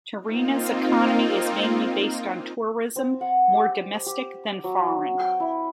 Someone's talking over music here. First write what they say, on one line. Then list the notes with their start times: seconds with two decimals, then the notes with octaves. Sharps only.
Tirrenia's economy is mainly based on tourism, more domestic than foreign.
0.21 A#3 C4 D#4 F4
2.96 C4
3.21 F#5
3.55 G4
4.06 G4
4.64 F#3
5.20 G5
5.40 E4